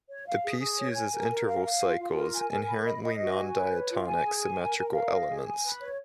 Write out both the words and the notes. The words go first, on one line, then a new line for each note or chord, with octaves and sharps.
The piece uses interval cycles, inherently non-diatonic symmetrical elements.
C#5
F5
G#4
G#4
C#5
G#5
A#4
A#4
F5
F5
F4
F4
A#4
G#5
A#4
B5
D#5
D#5
F#4
G#5
B4
C#5
F4
G#5
G#4
G#5
A#4
A#4
F5
D#5
G#4
G#5
B4
C#5